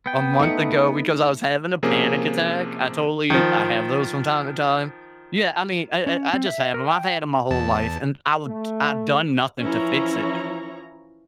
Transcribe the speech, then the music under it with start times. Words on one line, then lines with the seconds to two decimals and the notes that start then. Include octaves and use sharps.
a month ago because I was having a panic attack, I totally I have those from time to time. Yeah, I mean, I I I just have 'em, I've had 'em my whole life, and I would I've done nothing to fix it,
0.06 B3 G5
0.39 A3 D#4 B4 C#7
1.83 C3 F3 A#3 C#4 G#4
3.30 D#3 F3
6.06 C#4
6.33 C4
6.46 E5
6.74 A#4
6.88 G5
7.50 E2 A5
8.47 A3
9.62 E3 F3 C#4 E4 C#5 A#5